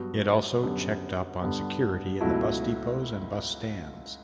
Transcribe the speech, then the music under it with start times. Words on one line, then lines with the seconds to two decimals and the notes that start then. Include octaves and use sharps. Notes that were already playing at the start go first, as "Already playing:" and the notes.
It also checked up on security in the bus depots and bus stands.
Already playing: G2 F#3 B3 F#4
0.63 F#2 D3 G3 B3
1.42 G2 D3 G3 B3
2.21 C#2 B2 F#3 A3 E4